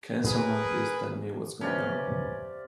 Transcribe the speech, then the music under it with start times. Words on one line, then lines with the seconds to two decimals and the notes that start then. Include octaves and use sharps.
Can someone please tell me what's going on?
0.24 G#4 A#4 B4
1.61 C3 C#4 B4 D5 F5